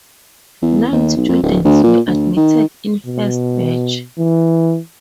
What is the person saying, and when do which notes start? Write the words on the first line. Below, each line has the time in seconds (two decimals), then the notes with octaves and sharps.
Nine students were admitted in first batch.
0.62 E2
0.92 D#2
1.17 B1
1.29 F2
1.43 D1
1.64 D2
1.84 A#2
2.07 D2
2.37 D#3
3.06 B2
4.18 E3